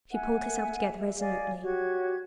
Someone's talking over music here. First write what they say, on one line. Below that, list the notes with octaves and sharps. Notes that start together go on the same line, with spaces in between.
She pulled herself together resolutely.
E5 F#5 G#5
E5
D5 D#5 F5 G#5
F#4 G4 C#5 G#6